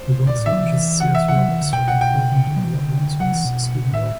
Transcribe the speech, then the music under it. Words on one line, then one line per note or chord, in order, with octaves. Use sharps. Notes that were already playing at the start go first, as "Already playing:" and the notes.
The world's largest Sears Roebuck store opened on what once was skid row.
Already playing: C5
C3
C3
B2 D5
A2
E5
F#3
E3
F#5
E5
F#5
F#3
E3
D3
B2 G5
F#5
G5
D3
F#3
E3
D3
F#3 F#5
E3
B2
A2 E5